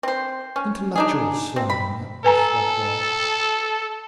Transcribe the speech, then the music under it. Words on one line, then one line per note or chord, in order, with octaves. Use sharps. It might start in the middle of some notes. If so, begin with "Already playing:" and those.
Intellectual slumming, that was what it was.
C4 C5
C#4
D4 D#4 G#4
C4
B5
A4 B4 G#5 A#5